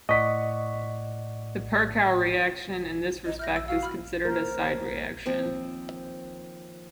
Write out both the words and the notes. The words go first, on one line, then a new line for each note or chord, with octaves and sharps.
The Perkow reaction, in this respect is considered a side-reaction.
A2 D5 D#5 F#5 C#6 B6
D#5
E5 F6 G6 A#6
E6
F#4 F5 E6
B5 F6
A#3 C#4 A#4 C5
D#2 F3 C4